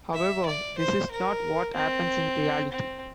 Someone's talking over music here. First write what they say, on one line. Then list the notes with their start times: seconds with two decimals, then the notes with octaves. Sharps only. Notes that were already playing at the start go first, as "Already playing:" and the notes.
However, this is not what happens in reality.
0.14 E5
0.47 D5
0.78 C5
1.11 A#4
1.75 C4
2.72 C4